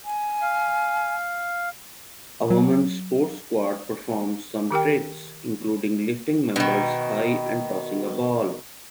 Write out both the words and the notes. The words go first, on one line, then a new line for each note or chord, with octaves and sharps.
A women 's sports squad performs some tricks, including lifting members high and tossing a ball.
G#5
F5
F#3
D#3 G4 A#4 G5
B2 D#3